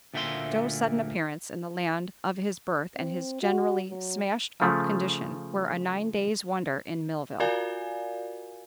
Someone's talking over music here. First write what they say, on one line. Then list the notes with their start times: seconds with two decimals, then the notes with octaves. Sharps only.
Joe's sudden appearance in the land of his birth and his generally smashed up condition were a nine days' wonder in Millville.
0.14 D2 A#2 A3 A#3 E5 C6
2.97 C4
3.42 F#4
3.90 F#3
4.62 C#3 F3 A3
7.40 F4 F#4 A#4 D5 F5 G#5